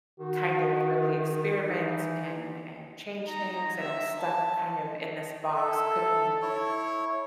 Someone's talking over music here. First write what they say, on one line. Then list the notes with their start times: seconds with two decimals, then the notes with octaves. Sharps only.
kind of, really experiment and and change things, and I'm stuck, kind of in this box cooking
0.20 D#3 F#4
1.67 E3 D#4
3.27 D#4 A#5
3.79 E5
4.19 A5
5.55 A4 E5
6.42 E4 C#5 C#6